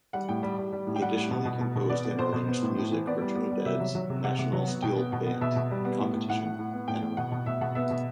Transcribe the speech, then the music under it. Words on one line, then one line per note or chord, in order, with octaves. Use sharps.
He additionally composed and arranged music for Trinidad's national steelband competition Panorama.
G3 F#5
A2 G5
G3
G3
G3
A2
G5
G3 F#5
A2
B2
B2
B2
B2
B3 D5
B3
B2 C5
B2
B3
A2
A2
E3
B3 D5
G3
B3
G3
C3 E5
F#3
F#3
C3
C3 F#5
C3
F#3
B3
B2 G5
B3
B2 F#5
B3
B2 E5
B2
G3
B3
A2
A2
A2 F#5
A2
A2
B3
A2 G5
A2
B2 F#5
B2
B2 E5
B2 F#5
B3 E5
B2